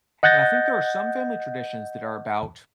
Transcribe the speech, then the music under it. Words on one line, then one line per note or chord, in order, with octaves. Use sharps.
And I think there are some family traditions that are about
D#5 F#5 F#6 G6 A6 A#6